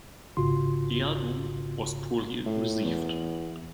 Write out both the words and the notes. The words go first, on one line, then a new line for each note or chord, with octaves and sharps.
The album was poorly received.
A1 G#2 C#3 F4 F#4 C6
A2
E2